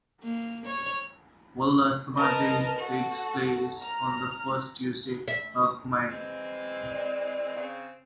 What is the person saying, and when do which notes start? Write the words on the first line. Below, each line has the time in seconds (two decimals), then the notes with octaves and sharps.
World Asthma Day takes place on the first Tuesday of May.
0.23 A#3
0.67 C#5
2.17 A#4 B4 D#5 A5
2.78 F#4 A4
3.80 A#5 F6
5.28 E5
6.09 E3 G#3 C4
6.89 D5
7.55 C#3 C4